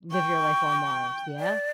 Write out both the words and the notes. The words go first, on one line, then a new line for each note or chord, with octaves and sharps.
live your life on Mars. Yeah?
G5 C#6
D5